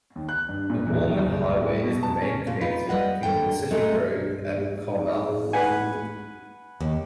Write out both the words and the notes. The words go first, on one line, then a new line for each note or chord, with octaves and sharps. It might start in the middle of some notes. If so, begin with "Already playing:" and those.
The Holman Highway is the main connector between Pacific Grove and Carmel.
D#2
F#6
G2
A#2
E2
D#2
F#1
D1
A2
B2
A5
C#4
A#2
D#4 F4 B4
G3 B4 D#5 F#5
D#2 D3 G5
G#3 A3 C#4 D#4 A4
B4 F#5 G#5
D#2